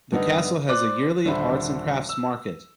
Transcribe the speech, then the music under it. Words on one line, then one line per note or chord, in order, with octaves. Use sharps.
The castle has a yearly arts and crafts market.
G2 D3 B3 D#4
C5 D5 D6 F#6
D#1 D3 C5 E5 B5
E6